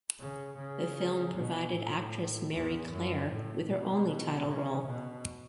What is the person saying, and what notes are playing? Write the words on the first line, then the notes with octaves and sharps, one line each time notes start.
The film provided actress Mary Clare with her only title role.
C#3
C#3
B2
A2
E2
F#2
A2
B2
C#3
B2